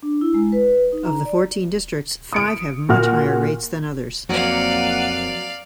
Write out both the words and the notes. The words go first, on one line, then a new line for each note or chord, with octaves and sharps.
Of the fourteen districts, five have much higher rates than others.
D4
E4
G#3
B4
D#4
A#5
D5
D#6 C#7 D7
A#2 F#4 F6
F2 F#3 A#3 C4 D5 F5 F#5 D#7